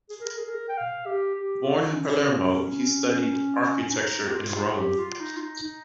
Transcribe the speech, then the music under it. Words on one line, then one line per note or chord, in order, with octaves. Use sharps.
Born in Palermo, he studied architecture in Rome.
G#4
A#4
G#4
A#4
G5
F5
G4
G4
F4
C#4
C#4
D#4
G4
F4
G#4
G4
F4
D#4
F4
D#4
D#4